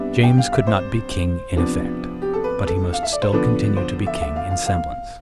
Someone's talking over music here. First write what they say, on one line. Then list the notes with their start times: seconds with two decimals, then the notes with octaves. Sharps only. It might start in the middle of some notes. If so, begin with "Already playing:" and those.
James could not be King in effect: but he must still continue to be King in semblance.
Already playing: C3 G3 B3 D4 E5
0.23 G5
0.38 F5
0.52 E5
0.67 C5
1.56 C3 F3 B3 D4
2.22 G4
2.33 A4
2.44 B4
2.67 A4
2.93 F5
3.03 E5
3.13 D5
3.22 C5
3.32 D3 F3 B3 D4 B4
3.77 C5
4.07 E5
4.22 E5
4.36 F5
4.50 F5
4.66 F5